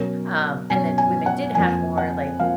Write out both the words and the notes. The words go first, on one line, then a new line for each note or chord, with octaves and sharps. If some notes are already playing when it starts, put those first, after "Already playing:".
Um, and that women did have more, like,
Already playing: B2 F#3 C#4 A#4
B2 F#3 C#4 G#5
G#5
F#5
F2 F3 A#3 G#5
F#5
F3 A#3 F5